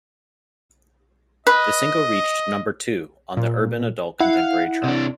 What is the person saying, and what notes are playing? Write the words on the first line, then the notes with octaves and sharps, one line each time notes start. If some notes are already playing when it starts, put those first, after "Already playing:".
The single reached number two on the Urban Adult Contemporary chart.
B4 D#5
A#2
E4 F5 F#5
C3 D4